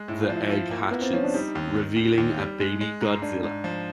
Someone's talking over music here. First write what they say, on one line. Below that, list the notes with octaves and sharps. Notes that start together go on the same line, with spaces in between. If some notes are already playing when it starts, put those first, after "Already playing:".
The egg hatches, revealing a baby Godzilla.
Already playing: G#3
A2 E4
F4
F3
E4
F3
A#3
A#3 B3
C4
F3 C#4
D4
G3 D#4
D#2
D#3
D#2
D#2
G3
G#3
G#3
G#2
G#2 D4
G#2
F3